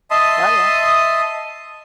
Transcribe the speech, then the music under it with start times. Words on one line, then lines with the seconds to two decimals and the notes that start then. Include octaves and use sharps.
Oh, yeah.
0.11 D#5 E5 A5 C6 D#6